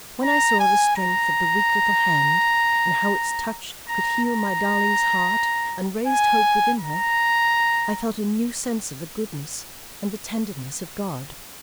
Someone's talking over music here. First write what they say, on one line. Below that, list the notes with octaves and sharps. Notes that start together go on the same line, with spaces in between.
When I saw the strength of the weak little hand and how its touch could heal my darling's heart and raised hope within her, I felt a new sense of the goodness and the tenderness of God.
A#5
G#5
A#5
A#5
A#5
G#5
A#5